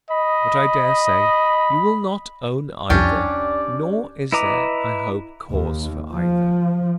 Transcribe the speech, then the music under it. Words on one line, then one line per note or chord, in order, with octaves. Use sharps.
But, I dare say, you will not own either--nor is there, I hope, cause for either.
D#5 B5
C2 F2 C#4 D4 G4 D5
E4 B4 D#5 A#5 D6
D#2
F3